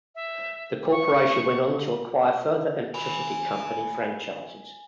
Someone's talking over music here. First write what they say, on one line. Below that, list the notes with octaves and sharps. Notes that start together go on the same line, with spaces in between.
The corporation went on to acquire further electricity company franchises.
E5
C#6
G#5 B5